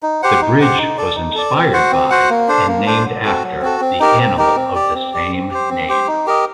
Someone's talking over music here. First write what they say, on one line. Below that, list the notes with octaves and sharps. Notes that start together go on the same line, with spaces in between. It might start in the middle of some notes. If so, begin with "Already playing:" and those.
The bridge was inspired by and named after the animal of the same name.
D#4
G4 C5 F#5
D#4
G4 C5 F#5
D#4
A4 D5
D#4
A4 D5
C4
F#4 C5 F#5
C4
F#4 C5 F#5
A#3
D4 A4 C5
A#3
D4 A4 C5
F#3
C4 F#4 A4
F#3
C4 F#4 A4
C4
D#4 G4 A#4
C4
D#4 G4 A#4
C4
G4 D5
C4
G4 D5
C4
G4 C5
C4
G4 C5
D#4
G4 A#4 D#5